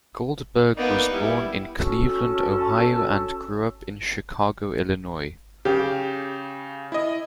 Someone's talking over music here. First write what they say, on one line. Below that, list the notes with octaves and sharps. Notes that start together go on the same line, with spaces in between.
Goldberg was born in Cleveland, Ohio, and grew up in Chicago, Illinois.
A#3 B3 D#4 D5
G3 E4
C#4 F#4 A4
C#3 G4
E4 D#5